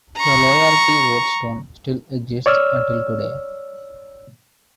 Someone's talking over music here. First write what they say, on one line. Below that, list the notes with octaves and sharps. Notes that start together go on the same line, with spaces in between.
The loyalty oath stone still exists until today.
A#5 C#6
C#5 D5 E6 F6